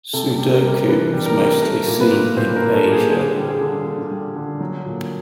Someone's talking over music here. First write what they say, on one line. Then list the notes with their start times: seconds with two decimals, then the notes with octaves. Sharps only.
Sodoku is mostly seen in Asia.
0.13 C3 A4
0.38 G3
0.51 A#4
0.63 G3
0.88 E3 B4
1.13 G3
1.26 A#4
1.37 G3
1.62 A3 A#4
1.87 A#2
2.00 B4
2.12 A#2
2.37 A#2 C5
2.56 A#4
2.62 A#2
2.74 A4
2.87 A#2
2.92 G#4
3.11 D3 G#4
3.36 G3
3.49 G#4
3.61 D3
3.87 D3
4.11 G3
4.36 D3
4.61 F#3
4.85 A#2